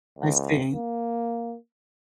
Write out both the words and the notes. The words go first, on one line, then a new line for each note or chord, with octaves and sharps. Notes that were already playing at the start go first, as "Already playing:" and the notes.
I see.
C#2
A#3